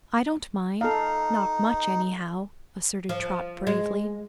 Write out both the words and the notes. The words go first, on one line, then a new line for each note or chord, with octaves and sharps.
"I don't mind; not much, anyhow," asserted Trot, bravely.
D#4 A4 F5
F3
G#3